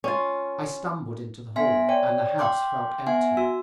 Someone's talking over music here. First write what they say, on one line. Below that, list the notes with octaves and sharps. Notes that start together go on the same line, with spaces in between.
I stumbled into the hall, and the house felt empty.
C#4 F4
B3 E5 G#5 C6 B6
C#5 D5 G5
F5 G5 C6 D6 G6
B3 E5 F#5 G#5
F#4 E6